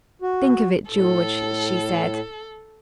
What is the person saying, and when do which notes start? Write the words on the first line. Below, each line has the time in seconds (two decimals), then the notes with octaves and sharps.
"Think of it, George," she said.
0.22 F#4
0.91 A2 A4